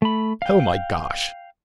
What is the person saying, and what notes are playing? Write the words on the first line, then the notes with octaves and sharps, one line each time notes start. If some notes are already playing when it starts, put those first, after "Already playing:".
"Oh, my gosh!"
A3 B5
F5 G5